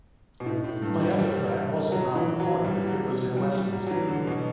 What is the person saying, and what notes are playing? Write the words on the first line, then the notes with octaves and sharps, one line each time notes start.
My other flat wasn't round the corner, it was in Westminster.
B2
A2
A2
G2
E3
G3
F#3
E3
F#3
G3
E3
F#3
G3
G3
F#3
F#3
E3
D3
B2